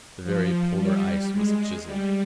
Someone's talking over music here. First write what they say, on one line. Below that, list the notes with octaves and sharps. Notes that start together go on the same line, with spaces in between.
The very Polar ice was chiseled.
F3
G3
G#3
G3